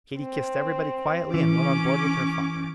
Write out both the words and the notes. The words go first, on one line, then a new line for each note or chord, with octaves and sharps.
Katy kissed everybody quietly and went on board with her father.
C4
E3 C#4 D6